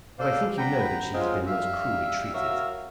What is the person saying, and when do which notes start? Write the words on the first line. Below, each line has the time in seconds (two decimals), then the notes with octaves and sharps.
"But I think you know that she has been most cruelly treated."
0.19 A4 C5 D5 F5
0.59 F#5 G5 A#5 B5
1.13 F#3 G#3 C4 F4
1.48 G3 E5 F5
2.34 F#4 A#4 C#5 E5 F5